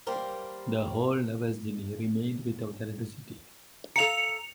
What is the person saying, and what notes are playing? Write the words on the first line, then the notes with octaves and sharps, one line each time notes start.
The whole Nevesinje remained without electricity.
G3 A#3 G4 A#4 C5
A4 F5 A#5 C#7 F7